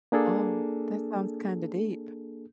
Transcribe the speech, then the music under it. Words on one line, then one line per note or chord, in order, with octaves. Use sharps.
Oh, that sounds kinda deep.
A#3 D4 G#4 A4